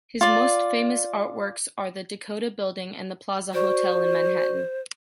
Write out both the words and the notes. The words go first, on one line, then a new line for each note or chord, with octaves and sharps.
His most famous art-works are the Dakota-Building and the Plaza Hotel in Manhattan.
F4 D5
F#4 C5 D5 C#6